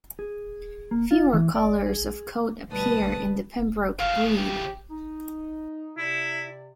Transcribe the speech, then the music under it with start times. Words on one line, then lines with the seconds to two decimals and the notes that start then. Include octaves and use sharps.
Fewer colours of coat appear in the Pembroke breed.
0.19 G#4
0.91 A#3
1.11 F4
1.33 E3
1.55 D5
1.86 G#4
2.70 D2 B2 G3 B4 A5 D#6
4.00 A2 C#3 F5
4.37 G4
4.90 D#4
5.98 C3 E4 D5